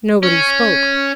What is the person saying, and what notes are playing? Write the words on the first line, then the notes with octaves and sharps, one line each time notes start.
Nobody spoke.
C#4